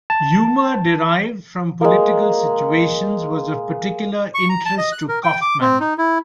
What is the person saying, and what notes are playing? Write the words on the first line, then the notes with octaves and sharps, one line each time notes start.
Humor derived from political situations was of particular interest to Kaufman.
A5
G#3 A#3
C#6
A#5
A5
D#5
F#6
A#4
G5
D6
C4
D#4
E4